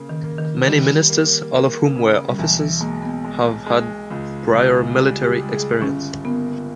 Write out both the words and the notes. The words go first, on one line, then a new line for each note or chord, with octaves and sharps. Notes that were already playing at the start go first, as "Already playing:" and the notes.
Many ministers, all of whom were officers, have had prior military experience.
Already playing: C#3 A#3
D#3
A#3
D#3
D#3 G3
A#3
A#3
C#3
G3
B1 E3
E3
G#3 A#3
B3
G#3
G#3
C#2
C#2
G3
G4
G3
G#4
G1 C#4
A#3 B3